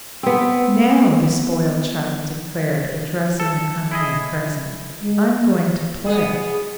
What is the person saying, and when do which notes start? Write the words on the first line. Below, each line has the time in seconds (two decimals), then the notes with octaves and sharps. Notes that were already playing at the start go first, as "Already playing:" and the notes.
"Now," the spoiled child declared, addressing the company present, "I'm going to play."
0.23 B3 C4
3.40 A4
3.91 E4 G#4 D#5
5.01 G#3
6.06 B3 G#4